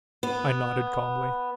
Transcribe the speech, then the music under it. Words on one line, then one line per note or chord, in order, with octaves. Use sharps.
I nodded calmly.
B3